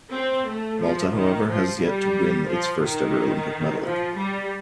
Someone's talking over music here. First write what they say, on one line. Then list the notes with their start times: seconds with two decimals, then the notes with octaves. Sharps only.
Malta, however, has yet to win its first ever Olympic medal.
0.13 C4
0.47 A3
0.80 F3
1.14 D#3
1.48 F3
1.81 G3
2.47 F3
2.82 D#3
3.81 F3
4.15 G3